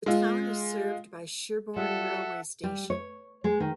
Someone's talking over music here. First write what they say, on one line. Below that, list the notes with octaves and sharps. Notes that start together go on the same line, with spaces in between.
The town is served by Sherborne railway station.
G#3 F4
G3 F4 A4 E5 F#5
G3
C#5
G#3
D#3